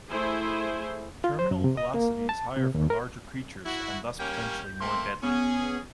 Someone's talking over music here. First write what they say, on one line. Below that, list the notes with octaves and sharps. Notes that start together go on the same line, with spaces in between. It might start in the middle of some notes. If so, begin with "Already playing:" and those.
Terminal velocity is higher for larger creatures, and thus potentially more deadly.
A3 E4 G#4 C5
F4
C5
F#2
C3
D#5
A#3
A5
C3
D#2
A#4
E4 F#4
G3 A#3 C#4 G6
A3 A#3 C4 C6
B3 C#4 G#4